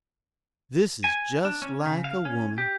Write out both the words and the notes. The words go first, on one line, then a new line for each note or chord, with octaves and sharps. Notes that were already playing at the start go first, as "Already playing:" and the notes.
This is just like a woman.
G#5
D4
C#4
C#3
F5
C#4
G4